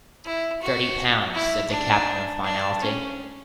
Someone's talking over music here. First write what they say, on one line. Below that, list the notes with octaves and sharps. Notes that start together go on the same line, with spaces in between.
Thirty pounds, said the captain with finality.
E4
F#4
E4
D4
D4
C#4